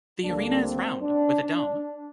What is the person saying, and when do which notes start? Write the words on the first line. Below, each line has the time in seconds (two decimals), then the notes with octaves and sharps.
The Arena is round, with a dome.
0.22 D2 D3 G3 A#3 D4
0.62 C4
1.02 D4
1.43 D4